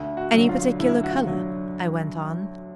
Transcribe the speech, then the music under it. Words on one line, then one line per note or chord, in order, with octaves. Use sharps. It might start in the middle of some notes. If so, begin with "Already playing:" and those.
"Any particular color?" I went on.
Already playing: D2
F#4
D3 F#3
F4
D2 E4
F#4
F4
D3 F#3